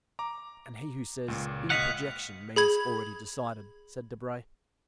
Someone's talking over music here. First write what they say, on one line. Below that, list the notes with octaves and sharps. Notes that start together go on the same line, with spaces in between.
"And he who says in 'projection,' means already decided," said Debray.
A#5 D6
C#2 A#2
D#5 F5 F#5 F#6 B6 F7
G#4 B5 G#6